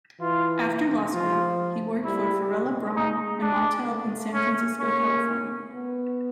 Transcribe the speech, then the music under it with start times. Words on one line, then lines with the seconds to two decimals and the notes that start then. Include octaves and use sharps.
After law school, he worked for Farella Braun and Martel in San Francisco, California.
0.20 E3 F4
1.13 F3 F4
2.05 G3 E4
2.96 G#3 D#4
3.42 D4
3.88 A3
4.33 C#4
4.80 A#3 C#4
5.72 B3